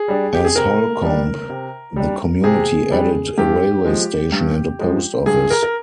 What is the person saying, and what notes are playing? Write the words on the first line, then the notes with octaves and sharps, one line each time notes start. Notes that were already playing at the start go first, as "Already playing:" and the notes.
As Holcomb, the community added a railway station and a post office.
Already playing: G#4
G3 D4
G4
G#4
C3 A#4
G3 D4
C3
G3 D4
C3 G#4
G3 D4
G2 G4
F3 G#3
G2
F3 G#3
G2 G#4
A#4
A#4